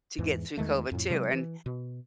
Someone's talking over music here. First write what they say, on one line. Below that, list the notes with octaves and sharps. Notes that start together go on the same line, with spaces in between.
to get through COVID, too, and
E2 G#2 E3
E2 D#3 G#3 A3
F2 A2
C3 F#3 G#3
E3
B2